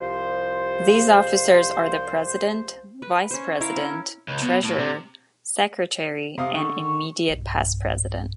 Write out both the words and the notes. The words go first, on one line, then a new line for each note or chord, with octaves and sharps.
These officers are the President, Vice President, Treasurer, Secretary, and Immediate Past President.
C2 F3 C5
B4
C#4 C5
E4 A#4 F5
C#4
C#2
B2
A2
C3
C3 F5 D#6
D3 C#6
B1 G2